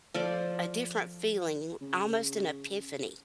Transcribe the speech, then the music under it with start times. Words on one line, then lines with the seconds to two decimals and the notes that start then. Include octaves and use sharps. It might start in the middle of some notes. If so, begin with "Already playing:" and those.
a different feeling, almost an epiphany,
0.14 F3 F4 A4 D5
1.81 C#3